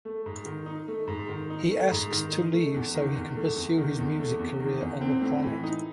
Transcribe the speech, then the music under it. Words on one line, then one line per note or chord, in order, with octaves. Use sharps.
He asks to leave so he can pursue his music career on the planet.
A3
G#2
D#3
D#4
A3
G#2
D#3
D#4
A3
G#2
D#3
D#4
A3
E2
D#3
E2
A3
E2
D#3
E2
A3
E2
D#3
E2
C4
A2
E3
D#4